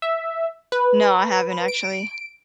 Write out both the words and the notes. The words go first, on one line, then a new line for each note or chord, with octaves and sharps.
No, I haven't, actually.
E5
B4
D7